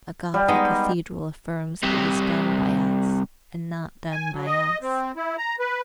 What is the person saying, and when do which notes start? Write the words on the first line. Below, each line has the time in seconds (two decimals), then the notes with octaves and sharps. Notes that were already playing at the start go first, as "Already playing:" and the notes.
A Gothic cathedral affirms that it was done by us and not done by us.
0.34 G3
0.48 G#3 B3 D#4
1.83 C2 C3
4.11 G#5
4.33 F#3
4.46 D#5
4.82 C4
5.16 E4
5.38 A#5
5.60 B4